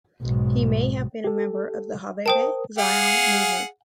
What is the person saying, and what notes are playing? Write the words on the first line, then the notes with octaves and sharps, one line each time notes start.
He may have been a member of the Hovevei Zion movement.
B1 G#2
G4 A4
A#4 C5 G5 A5 D#6
G#4 F5 F#5